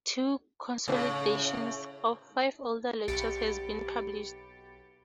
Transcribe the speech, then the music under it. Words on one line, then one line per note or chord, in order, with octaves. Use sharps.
Two consolidations of five older lectures have been published.
A2 C#3
B1 G4 B5 A6 C#7 D7